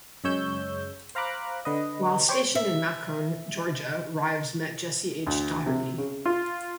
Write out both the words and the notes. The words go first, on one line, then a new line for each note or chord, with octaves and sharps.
While stationed in Macon, Georgia, Rives met Jessie H. Daugherty.
F#2 C#3 G#3 C#5 E6 G6
C5 F5 A#5 B5 D6 F#6
D3 B4 D#5
G4 C5 C#5 C#6 D6
E5
D2
C3
C#3
F4